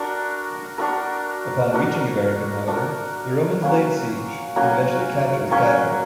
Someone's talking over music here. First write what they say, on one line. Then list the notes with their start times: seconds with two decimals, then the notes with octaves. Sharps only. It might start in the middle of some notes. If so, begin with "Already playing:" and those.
Upon reaching Avaricum however, the Romans laid siege and eventually captured the capital.
Already playing: D4 F#4 A#4
0.78 D4 F#4 A#4
1.73 D4 F#4 A#4
2.67 D4 F#4 A#4
3.62 F#3 A#3 C#4 F#4
4.56 F#3 A#3 C#4 F#4
5.51 F#3 A#3 C#4 F#4